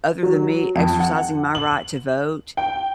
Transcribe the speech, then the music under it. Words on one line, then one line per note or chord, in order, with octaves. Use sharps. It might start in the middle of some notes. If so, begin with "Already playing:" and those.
other than me exercising my right to vote
F#3
F2
F#5
F#7
G5